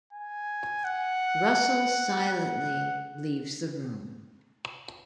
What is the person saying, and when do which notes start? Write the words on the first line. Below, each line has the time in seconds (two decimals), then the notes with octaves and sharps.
Russell silently leaves the room.
0.13 G#5
0.84 F#5
2.29 F#5